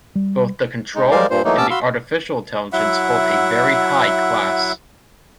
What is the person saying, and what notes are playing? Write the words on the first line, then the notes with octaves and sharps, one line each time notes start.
Both the control and the artificial intelligence hold a very high class.
G3
G#3 D#4
G3 G#3 A#4 C5 D5 F5
G2 A#2 C5
E3 F#3 A3 A#3 D#4
C3 B3 C#4 A5 D6 E6
F#4 F5 B5 C6 E6
F#3 E4 E5 F#5